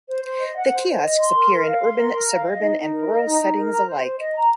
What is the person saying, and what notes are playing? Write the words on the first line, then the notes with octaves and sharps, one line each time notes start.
The kiosks appear in urban, suburban and rural settings alike.
C5
C5
D#5
F#5
C5
C5
D#5
C6
A#4
A#4
F5
C6
A#4
A#4
F5
D#5
D#4
D#4
A#4
D#5
D#4
D#4
A#4
A#5
C5
C5
D#5
A#5